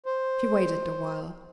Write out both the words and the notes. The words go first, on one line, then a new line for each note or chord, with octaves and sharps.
She waited a while.
C5